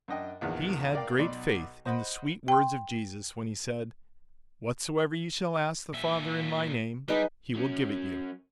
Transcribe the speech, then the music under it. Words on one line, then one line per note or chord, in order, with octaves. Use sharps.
He had great faith in the sweet words of Jesus when he said, "Whatsoever ye shall ask the Father in my name he will give it you."
F#2 D4 D#5 G5
A#1 E2 D#3
A#4 D5 F5 G5
B1 B2 D5 C6
C5 D#5 F#5 B5
G5 C6
A#2 E5
G3 G#3 D#4 B4
F#3 C#4